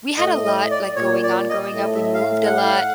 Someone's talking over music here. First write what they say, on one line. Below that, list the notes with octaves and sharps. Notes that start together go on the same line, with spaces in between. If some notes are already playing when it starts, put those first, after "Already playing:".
we had a lot, like, going on, growing up, we moved a lot,
A2 D#5
D#5
D5
A#2 C#5
D5
D#5
A2 D#5
E5
F5
F#5
F5
F#5